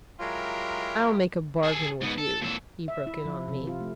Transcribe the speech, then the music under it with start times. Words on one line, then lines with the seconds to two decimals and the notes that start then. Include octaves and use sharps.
"I'll make a bargain with you," he broke in on me.
0.20 F#3 G#3 E4 F4 G4 A#4
1.63 G#4 A4
2.01 G#2 B3
2.18 A4
2.42 A#2 A4
2.88 E5
3.07 E4
3.25 F3
3.48 C3
3.67 F4
3.81 A3